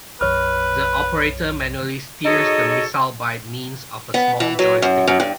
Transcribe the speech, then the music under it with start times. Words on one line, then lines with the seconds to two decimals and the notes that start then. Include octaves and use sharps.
The operator manually steers the missile by means of a small joystick.
0.21 B1 F#2 B4 C#5 F6
2.25 D#4 F#4 G#4 A4 C#5 D#5
4.14 B3
4.40 E3
4.59 F#3
4.82 F#2
5.07 F#2
5.20 G2